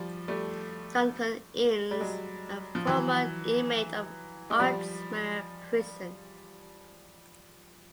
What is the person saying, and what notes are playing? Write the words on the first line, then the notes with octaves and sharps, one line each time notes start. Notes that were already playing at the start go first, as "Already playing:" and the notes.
Duncan Innes - A former inmate of Ardsmuir Prison.
Already playing: F3 G3
G3 A3
G3
F#3 G#3
F3
E3 F#3
G#3
F3 G3